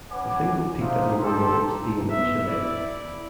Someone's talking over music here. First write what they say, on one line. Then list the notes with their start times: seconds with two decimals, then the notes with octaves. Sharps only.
The single peaked at number one in Spain and Chile.
0.11 C#4 B4 F#5 G#5 D6
0.80 G#3 D4 D#4 C5 E5 F5
1.23 G3 G4 A4 A#5 C6
2.11 B3 E5
2.45 E4 D5